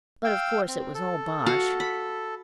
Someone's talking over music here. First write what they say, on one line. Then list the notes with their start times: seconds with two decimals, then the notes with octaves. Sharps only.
But of course it was all bosh.
0.25 F5 G5 E6
0.68 C4
0.94 A4
1.46 F#4 F5 F#5
1.80 B5